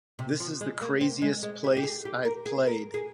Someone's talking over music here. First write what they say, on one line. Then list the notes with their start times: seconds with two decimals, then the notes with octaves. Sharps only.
This is the craziest place I've played.
0.19 C3
0.40 F3
0.61 G#3
0.81 A#3
1.01 C4
1.22 G#3
1.43 G#3
1.64 G4
1.77 G4
1.83 G#4
2.05 G4
2.25 A#4
2.45 G#4
2.67 A#4
2.94 G#4